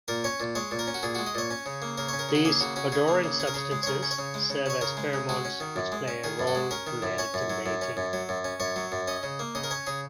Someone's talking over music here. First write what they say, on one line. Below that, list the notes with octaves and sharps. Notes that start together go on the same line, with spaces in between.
These odorant substances serve as pheromones which play a role related to mating.
A#2 A#4
C#4 C#5
A#2
G#3 C#5
A#2
A#4
C#4
F#4
A#2 G#4
G#3 F#4
D#5
A#2 C#5
C#4
C#3
A#3
C#3 A#4
C#4 C#5
A#4
C#3
F#4
A#3 G#4
C#3 F#4
C#4 F#4
C#3 G#4
A#3
C#3
C#4 G#4
A#4
C#3 G#4
G#3
C#5
C#3 A#4
C#4
C#5
C#3
G#3
C#3
C#4 C#5
C#3 A#4
G#3
C#3
G#3 F#4
C#4
D#3
F#2
G#3
C#4
D#3 G#4
F#2
F#4
G#3
C#4 A#4
D#3
F#2
C#4 C#5
F#2
F#3
F#2
C#4
F#2
F#3
F#2
C#4
F#2 C#5
F#3
F#2
C#4 D#5
C#3
A#3
C#3 D#5
A#4
C#4 C#5
C#3 G#4